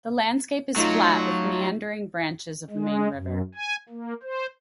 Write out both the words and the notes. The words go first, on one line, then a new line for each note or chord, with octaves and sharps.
The landscape is flat with meandering branches of the main river.
F#3 A3 D#4 F4
G#3
F#2
G#5
A#3
C5